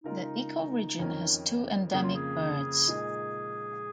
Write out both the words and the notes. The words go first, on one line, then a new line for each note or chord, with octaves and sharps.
The ecoregion has two endemic birds.
C#3 G#3 D#4 F4 A#4 D#5
F2 D#3 C#4 A#4
F2 C#3 A#3 G#4
F4
G#4
A#2 G#3 D#4